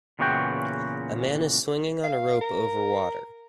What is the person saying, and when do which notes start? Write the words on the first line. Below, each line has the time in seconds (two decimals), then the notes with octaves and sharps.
A man is swinging on a rope over water.
0.19 E2 A#2 C#3 E3 F#4 G5
2.04 F5
2.41 A#4